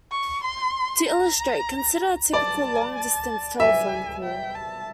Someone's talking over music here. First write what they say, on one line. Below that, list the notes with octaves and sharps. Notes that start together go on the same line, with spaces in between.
To illustrate, consider a typical long-distance telephone call.
C#6
C6
A#5
D5 A5
A5
E5 G#5
G5
A5